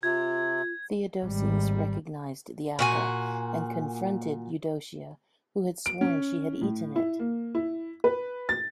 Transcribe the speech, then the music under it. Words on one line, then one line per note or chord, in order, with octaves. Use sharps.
Theodosius recognized the apple and confronted Eudocia who had sworn she had eaten it.
C3 F4 G#6
G#1 G3
A#2 F#4 G#5
D7
C#4
A2
E4
A#3
E4
B4
A6